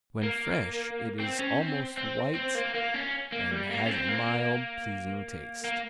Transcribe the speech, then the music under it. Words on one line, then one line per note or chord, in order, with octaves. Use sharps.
When fresh it is almost white and has a mild, pleasing taste.
A#3
C4
C#4
C4
C4
C4
A#3
A#3
C#4
A#3
G3
A#3
C#4
C4
A#3
A#3